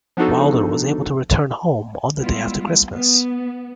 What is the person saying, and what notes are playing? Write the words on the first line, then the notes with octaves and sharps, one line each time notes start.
Wilder was able to return home on the day after Christmas.
F3 B3 D4 D#4 F#4 A4
G3 G#3 B3 E4 F4
B3